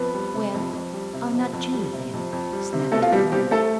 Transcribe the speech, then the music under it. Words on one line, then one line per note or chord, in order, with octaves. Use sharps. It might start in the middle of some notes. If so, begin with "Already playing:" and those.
"Well, 'are not you,' then," snapped Bobby.
Already playing: F2 B3 B4
G3
C3
F2
F2
G3
C3
F2
F2
G3
C3
F2
F2
G3
C3
B2 A3 A4
F4
B2 G3 G4
G3 C4 G4
A3 A4